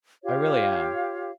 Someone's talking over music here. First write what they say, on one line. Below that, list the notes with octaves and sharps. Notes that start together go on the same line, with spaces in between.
I really am.
F4 G4 C#5 F5